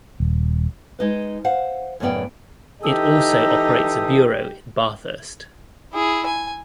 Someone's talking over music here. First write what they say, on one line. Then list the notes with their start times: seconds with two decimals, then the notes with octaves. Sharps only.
It also operates a bureau in Bathurst.
0.20 D#1
0.99 G#3 D#4 B4
1.44 C5 F5 F#5
2.00 F#2 A2 C#3 B3 D5 G5
2.83 E3 D#4 G4 A4 D#6 E6
5.93 E4 G#4
6.26 G#5